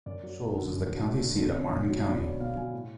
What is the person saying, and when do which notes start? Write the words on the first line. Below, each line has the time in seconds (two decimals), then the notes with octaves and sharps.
Shoals is the county seat of Martin County.
0.06 F#2 D5
0.23 F#3
0.40 A3
0.56 D3
0.73 F#2
0.89 F#3
1.06 A3
1.23 D3
1.40 B2
1.56 C#4
1.74 B2
1.90 F#3
2.07 B2 D5
2.23 C#4 D5
2.40 B2 F5
2.56 F#3 G#5
2.73 A2